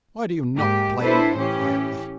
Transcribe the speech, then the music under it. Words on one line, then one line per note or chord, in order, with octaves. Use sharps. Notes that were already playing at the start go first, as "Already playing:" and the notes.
Why do you not play more quietly?
G#2 G#3 A#3 G4
D4 E4 A4 B4 C5
A2 E3 C#4 G4